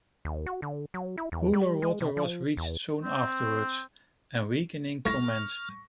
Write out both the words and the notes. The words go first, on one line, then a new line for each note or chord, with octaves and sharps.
Cooler water was reached soon afterwards, and weakening commenced.
D#2
F#4
D3
F#3
E4
E2
G3
G#3
C3
F3
E2
C4
A3 E4 C#6 F6 A#6